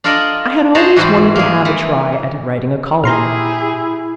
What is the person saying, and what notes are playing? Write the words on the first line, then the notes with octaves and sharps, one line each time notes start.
I had always wanted to have a try at writing a column.
D4 F4 A4 A#4 D5 D#5
F#4 G#4 C5 D#5 A5 A#5
G#2 E3 G3 F#4 C5
A#3 G#4
E3
A#2 E4 G4 G#4 A#5 C6 F6